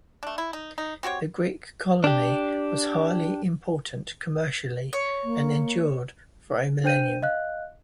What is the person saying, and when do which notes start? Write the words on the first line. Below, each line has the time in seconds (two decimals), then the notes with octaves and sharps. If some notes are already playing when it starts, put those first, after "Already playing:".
The Greek colony was highly important commercially and endured for a millennium.
0.23 A3 D4
0.38 E4
0.53 D#4
0.78 D#4
1.03 C4 F#4 G4 C#5
2.04 D4 G4
4.93 C#5
5.24 A#3
6.84 D4 C5 G5 G6 D#7
7.23 D#5 F5 F#6